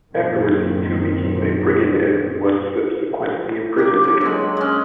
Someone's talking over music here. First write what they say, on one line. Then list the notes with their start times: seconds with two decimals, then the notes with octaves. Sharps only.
Afterwards he too became a brigand and was subsequently imprisoned again.
0.11 F#2 A#2 D#3 C4
3.78 A#3 G4
4.04 D3
4.21 F#3 G#3
4.57 G#3 C#4